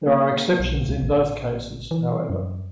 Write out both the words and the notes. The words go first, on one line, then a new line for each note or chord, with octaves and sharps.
There are exceptions in both cases, however.
A#3
B1
C#2
A1
E3
F#2